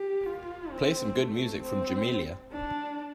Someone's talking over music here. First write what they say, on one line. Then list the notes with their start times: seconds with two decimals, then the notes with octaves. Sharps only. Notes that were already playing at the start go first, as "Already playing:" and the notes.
Play some good music from Jamelia.
Already playing: G4
0.25 F4
0.70 C4
1.17 A3
1.62 C4
2.52 D4